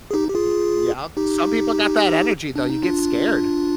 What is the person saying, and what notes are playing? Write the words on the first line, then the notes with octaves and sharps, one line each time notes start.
E hmm, yep. Some people got that energy though, you get scared.
G#4
D#4 G4
G4
F4 G#4
D#4 G4
D4
D#4
D4 F4